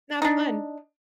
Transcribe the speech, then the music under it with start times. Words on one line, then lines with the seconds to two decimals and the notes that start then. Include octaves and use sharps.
Not fun.
0.22 D4 D#4